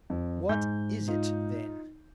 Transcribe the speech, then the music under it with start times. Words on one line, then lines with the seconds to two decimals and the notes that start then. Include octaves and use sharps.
"What is it, then?"
0.10 F2
0.49 G#2 G6
1.08 D#4 F4